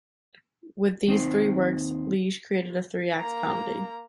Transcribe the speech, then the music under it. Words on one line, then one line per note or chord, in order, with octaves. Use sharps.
With these three works, Lesage created a three-acts comedy.
D#2 C4 D#4 C5
A#3 A#5